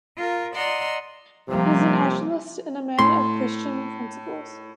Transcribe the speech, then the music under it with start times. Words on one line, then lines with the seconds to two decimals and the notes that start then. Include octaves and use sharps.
He is a nationalist and a man of Christian principles.
0.17 F4 A#4
0.53 D5 D#5 F#5 A#5 C6 E6
1.48 C3 F3 G3 A#3
2.99 A2 C6